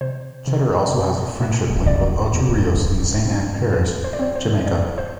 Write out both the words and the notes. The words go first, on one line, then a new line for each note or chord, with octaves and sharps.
Cheddar also has a friendship link with Ocho Rios in Saint Ann Parish, Jamaica.
C3 C5
C3
B2
B2
E2 D5
E2
G2
C4
E2 B4
C5
D5
C4 C5
C5
G2 D5
C5